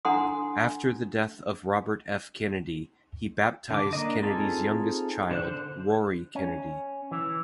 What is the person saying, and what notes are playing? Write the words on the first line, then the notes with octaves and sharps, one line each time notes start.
After the death of Robert F. Kennedy, he baptized Kennedy's youngest child, Rory Kennedy.
D4 A4 F#5 A#5 C6 D#6
D3 D6
A#3 D4 D#5
C4 D#4 F4 G#4 A4
D3 C5 F#6
C#4
E3